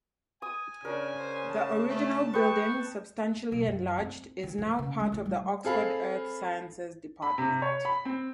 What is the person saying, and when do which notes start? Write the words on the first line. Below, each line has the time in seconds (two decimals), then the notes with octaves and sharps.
The original building, substantially enlarged, is now part of the Oxford Earth Sciences Department.
0.42 G#5 D#6
0.85 C#3 D4 A#4
1.17 C5
1.52 A5
1.90 A3
2.33 B4 D#5 G5 C#6
3.52 B1
3.67 F#2
3.99 C4
4.43 D#3
4.58 F3
4.79 C#3
5.00 G#3
5.12 A1
5.26 G3
5.64 C4 G#4 A4 F5 B5
7.22 B5
7.38 C3
7.62 C#5
7.85 B5
8.05 C4